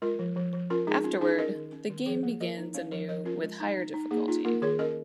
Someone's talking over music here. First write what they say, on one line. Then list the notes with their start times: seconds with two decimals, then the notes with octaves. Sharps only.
Afterward, the game begins anew with higher difficulty.
0.02 G#3 F4 A#4
0.19 F3
0.36 F3
0.53 F3
0.70 C#4 F4 A#4
0.87 G#3 D#4 G#4
1.04 C#4 F4
1.21 C#4 D#4 G#4
1.38 C#4 A#4 D#5
1.55 D#3
1.72 C#4
1.90 D#3
2.06 F3 G#4 C#5
2.23 A#3
2.41 F3 A#4 D#5
2.57 D#4
2.74 C#4 C#5 F5
2.91 F3 A#4 D#5
3.09 F3 A#4 D#5
3.25 C#4 F4 A#4
3.42 G#3
3.60 D#4
3.77 D#4
3.94 D#4
4.11 A#3 D#4 G#4
4.28 D#4 F4
4.45 A#3 F4 A#4
4.62 D#3 G#4 C#5
4.79 C#4 A#4 D#5